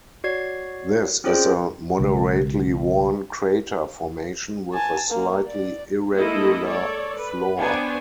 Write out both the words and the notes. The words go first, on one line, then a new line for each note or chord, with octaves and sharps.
This is a moderately worn crater formation with a slightly irregular floor.
F#4 C#5 D5 G#6 C7
C4 C#4 F4 G#4 C5 D5
B1 C#3 F3 G#3
G#5 A5
A#3
D5
G#3 A#3 D#4 E4 A4 D#5
A4 C#5 D5
B4
B3 D4 C5 C#5 G5 G#5